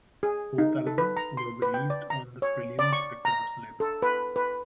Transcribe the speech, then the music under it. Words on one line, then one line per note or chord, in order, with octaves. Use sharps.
Both albums were released on the Prelude Records label.
G#4
D#4
A4
B4
A#5
C6
B4
G5
D5
A#5
C#5
D5
C#6
A#5
A4
B4
B4